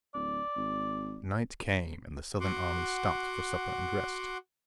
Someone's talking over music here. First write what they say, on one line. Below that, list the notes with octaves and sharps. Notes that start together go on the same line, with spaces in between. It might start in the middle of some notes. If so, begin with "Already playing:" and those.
Night came and the Southern army stopped for supper and rest.
D1 D5
G#1
F#4 F#5 C6 D6